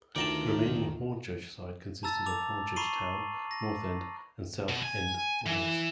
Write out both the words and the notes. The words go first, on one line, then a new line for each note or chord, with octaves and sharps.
The remaining 'Hornchurch side' consisted of Hornchurch Town, North End, and South End wards.
D2 D#3 F4 D5 G5 A5 A#5
A5 A#5 E6 A6
D6 F7
A#5 B5 C#6 C7 D#7 F#7
A#6
B2
G#5
E3